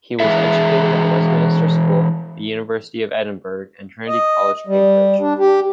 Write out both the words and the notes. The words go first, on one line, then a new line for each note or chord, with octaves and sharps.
He was educated at Westminster School, the University of Edinburgh, and Trinity College, Cambridge.
E3 G#3 C4 F4 G#4 E5
D#5
G3
D4
G4